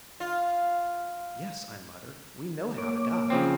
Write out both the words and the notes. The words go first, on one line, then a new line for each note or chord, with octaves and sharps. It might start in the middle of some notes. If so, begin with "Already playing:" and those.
"Yes," I muttered, "we know how to die!"
F4
A#3 C#5 D6
C#3 F3 C4